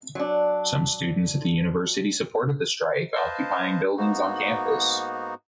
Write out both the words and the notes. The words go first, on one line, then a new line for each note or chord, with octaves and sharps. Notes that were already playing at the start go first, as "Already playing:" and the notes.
Some students at the university supported the strike, occupying buildings on campus.
F#3 D4
B4 C5 D#5 F5 A5
G#2 A#3 B3 D#4 F#4